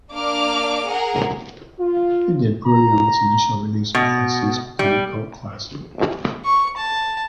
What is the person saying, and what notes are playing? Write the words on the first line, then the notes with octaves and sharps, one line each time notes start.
It did poorly on its initial release, but has since become a cult classic.
A#3 D4 D6 F6
G#4 A#4 F#5
F4
A#5
B2
G3
C#6
A5